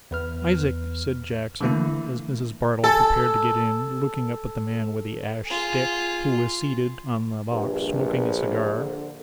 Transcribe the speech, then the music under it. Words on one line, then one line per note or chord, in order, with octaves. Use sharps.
'Isaac,' said Jackson, as Mrs. Bardell prepared to get in, looking up at the man with the ash stick, who was seated on the box, smoking a cigar.
E2 B4 F6
D3 E3 A3 A#3 E4
A4 G#5 A5
F4 G#4
A#1 G2
D3